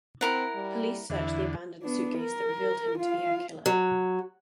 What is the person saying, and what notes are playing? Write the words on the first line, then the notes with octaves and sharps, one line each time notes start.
Police searched the abandoned suitcase that revealed him to be her killer.
C4 E4 A#4 F#5
G3
E2 D3 E4
B3 D4
A#4
F4 F5
F#3